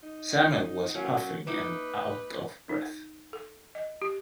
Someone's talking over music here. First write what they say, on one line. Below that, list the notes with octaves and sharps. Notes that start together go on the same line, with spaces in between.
Samuel was puffing and out of breath.
D#4
F#3 A#3 C#4
A#3 D#4 E4 B4
D#4
A4
D#5
G4